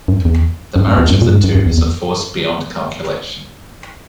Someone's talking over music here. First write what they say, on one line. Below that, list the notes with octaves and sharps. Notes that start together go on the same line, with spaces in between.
The marriage of the two is a force beyond calculation.
F#2
E2
F#2
F#2
E2
F#2
A#2
F#2
G#2
F#2
F#2
E2
E2